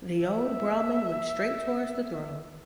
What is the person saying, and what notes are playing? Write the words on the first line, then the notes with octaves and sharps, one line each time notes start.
The old Brahmin went straight towards the throne.
E5